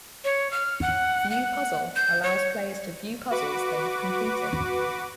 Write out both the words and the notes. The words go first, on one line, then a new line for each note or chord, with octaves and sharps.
"View Puzzle" allows players to view puzzles they have completed.
C#5
F6
F#5
F#5
G6
C#5
F#4 B4 D6